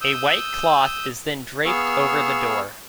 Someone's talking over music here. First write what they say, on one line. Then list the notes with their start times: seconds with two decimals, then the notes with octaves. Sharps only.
A white cloth is then draped over the door.
0.01 D#6 E6 G6
1.65 B3 G#4 F5 C#6 E6 F6